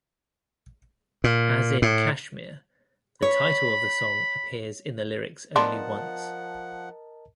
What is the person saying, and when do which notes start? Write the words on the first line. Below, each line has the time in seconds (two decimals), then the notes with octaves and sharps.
As in "Kashmir", the title of the song appears in the lyrics only once.
1.24 A#2
1.82 A2
3.22 C#5 B5
5.56 F3 B3 D4 A#4 D#5 F#5 A5 C6